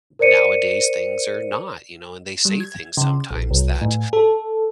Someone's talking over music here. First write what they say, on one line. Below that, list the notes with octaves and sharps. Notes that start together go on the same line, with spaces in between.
nowadays things are not, you know, and they say things sometimes that
A#4 C5 D5 C#7 D#7
G3
G#6
C#3
A#1
C2
A2
A4